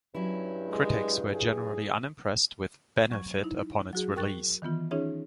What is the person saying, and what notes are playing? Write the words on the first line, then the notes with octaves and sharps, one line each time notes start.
Critics were generally unimpressed with "Benefit" upon its release.
G2 F#3 C#4 E4
G#3
G#4
F#3 C#6 G#6
D#4 E4
F#3 F#4 G#4
A#4 G5 C#6 F#6 A6
D#3 E3 B3 F4
C#4 D#4 F4 G#4 C#5 E5